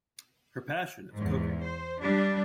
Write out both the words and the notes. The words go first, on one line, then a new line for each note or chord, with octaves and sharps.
Her passion is cooking.
E2 G#2
C5
G3 D4